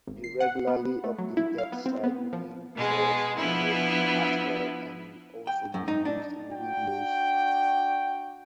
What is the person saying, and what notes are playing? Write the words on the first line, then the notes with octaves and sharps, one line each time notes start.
The regularly updated Cygwin port of aspell can also be used in Windows.
G#1
C7
F#5
B3
A3
F#3
E4
F5
B3
C4
B3
F3
B2 G#3 G#4
F3 B3 D4 E4
G5
F#2
D#4
D4
D4 F#4 G5